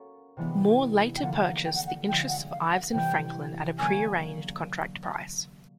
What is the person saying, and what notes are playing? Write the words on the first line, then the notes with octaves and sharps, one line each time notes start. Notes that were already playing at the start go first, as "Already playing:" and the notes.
Moore later purchased the interests of Ives and Franklin at a pre-arranged contract price.
Already playing: A#3 C#4 F#4 A4 C#5
C3 E3 G#3 B3 D4
G5
D3 F3 A#3 D4 F#5
F#5
G5
F#5
F#5
D3 F3 G#3 G5
F#5
F5
F#5
C3 E3 G3 B3 G5
D3 F#3 A#3 C#4 G#5